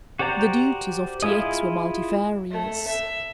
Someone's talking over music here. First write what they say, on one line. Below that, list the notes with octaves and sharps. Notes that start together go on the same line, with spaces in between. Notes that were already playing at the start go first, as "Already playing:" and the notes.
The duties of T. X. were multifarious.
F#4 G4 C5 D5 A#5
E4 F4 G#4 D#5
A3
E5